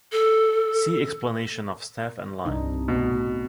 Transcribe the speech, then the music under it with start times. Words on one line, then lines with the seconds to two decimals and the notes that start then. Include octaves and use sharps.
See explanation of staff and line.
0.12 A4
2.45 C2 G2 C3 D4 D#4
2.88 A1 B2